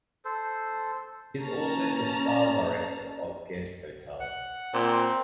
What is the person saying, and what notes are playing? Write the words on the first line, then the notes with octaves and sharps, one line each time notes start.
He is also the 'style director' of Guest Hotels.
A4 C5
A#3 C#4 A5 A#5
F#5
A#2 C4